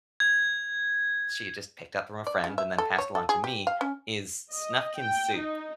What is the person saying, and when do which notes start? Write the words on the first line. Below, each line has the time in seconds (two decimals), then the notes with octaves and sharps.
she had just picked up from a friend and then passed along to me is Snufkin soup,
0.20 G#6
2.27 D5
2.44 C#3
2.58 E5
2.78 A4
2.98 C#5
3.15 A4
3.29 G#4
3.44 G4
3.67 F5
3.81 C#4
4.51 D#5
4.97 G5
5.37 D#4